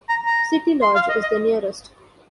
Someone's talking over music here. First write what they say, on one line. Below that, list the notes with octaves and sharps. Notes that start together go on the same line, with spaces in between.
Citylodge is the nearest.
A#5
A#5
C6
F5
D#5
D#5